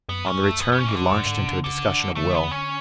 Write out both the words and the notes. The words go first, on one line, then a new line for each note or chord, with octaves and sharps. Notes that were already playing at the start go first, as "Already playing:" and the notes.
On the return he launched into a discussion of will.
F#2 B3
C#4
A3
B3
B3
C#4
E3
D3
F#2
G#2
B2
C#3
D3
D3 A3
B3
C#4